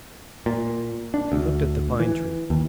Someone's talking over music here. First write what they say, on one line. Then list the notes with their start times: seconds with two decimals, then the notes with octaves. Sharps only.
He looked at the pine-tree.
0.46 A#2
1.14 D4
1.32 D2
2.00 E3
2.50 D#2